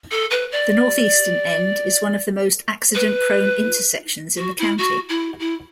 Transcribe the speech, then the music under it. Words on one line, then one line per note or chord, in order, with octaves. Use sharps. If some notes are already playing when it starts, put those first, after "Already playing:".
The northeastern end is one of the most accident-prone intersections in the county.
A4
B4
D5
B4
F#4
E4
F#4
E4
E4